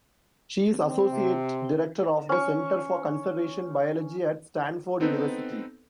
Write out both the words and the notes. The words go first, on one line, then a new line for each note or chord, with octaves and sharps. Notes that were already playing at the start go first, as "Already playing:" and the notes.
She is associate director of the Center for Conservation Biology at Stanford University.
C4
C3
C#4 C#6
B3 C4 D#4 A4 B4